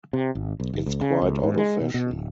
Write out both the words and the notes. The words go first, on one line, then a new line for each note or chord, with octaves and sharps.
It's quite out of fashion.
C3
G#1
B1
F#1
C#2
C#3
C#2
G#2
G#3
B2
B2
D1